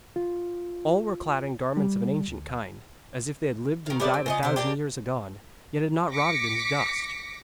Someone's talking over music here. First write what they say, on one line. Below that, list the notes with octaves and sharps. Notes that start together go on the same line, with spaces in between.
All were clad in garments of an ancient kind, as if they had lived and died a thousand years agone, yet had not rotted into dust.
F4
G3
D2
D#3 F5
G3 A3 B3 D5
C4
C#3 F4 D#5
C3 C4 C5
A#3 D4 G4
D6 A#6 B6 C#7